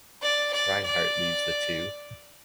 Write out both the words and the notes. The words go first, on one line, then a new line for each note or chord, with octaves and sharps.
Reinhardt leaves the two.
D5
D5
D5